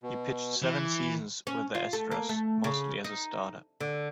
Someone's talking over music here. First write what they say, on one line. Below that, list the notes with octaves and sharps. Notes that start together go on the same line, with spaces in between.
He pitched seven seasons with the Astros, mostly as a starter.
B2
E3
C#4
F4
A3
A#3
A3
C#3
D#4
D3